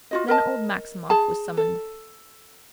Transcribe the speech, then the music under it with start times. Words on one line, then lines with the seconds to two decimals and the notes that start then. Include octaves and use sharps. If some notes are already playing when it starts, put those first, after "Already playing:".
Then old Maximov was summoned.
0.11 F4 F#4 D#5
0.28 A#4 D#5 A5
1.10 G#4 A5
1.57 A4